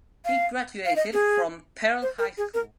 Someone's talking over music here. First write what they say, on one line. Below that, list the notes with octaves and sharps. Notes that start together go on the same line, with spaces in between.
He graduated from Pearl High School.
F5
F5
D#5
G#4
C5
A#4
G#4
A#4